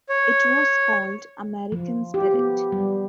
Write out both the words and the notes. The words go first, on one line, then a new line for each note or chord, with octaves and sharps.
It was called "American Spirit".
C#5
F3
G4
B3
G3